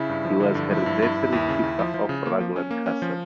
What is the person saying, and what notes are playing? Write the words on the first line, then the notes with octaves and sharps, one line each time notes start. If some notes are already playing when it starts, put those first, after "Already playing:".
He was Hereditary Keeper of Raglan Castle.
Already playing: C#3 E4
G2
F3
D3
G2
F3 E4
G2
G2
G2
D#2
C#3
D#2
F3
F3
C#3
A#3
F3
C#4
A#3
C#4
F3